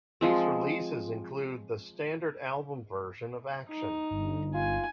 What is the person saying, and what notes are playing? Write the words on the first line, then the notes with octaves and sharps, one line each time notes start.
These releases include the standard album version of Action.
F3 G#3 C4
D#4
G1
F4 G#5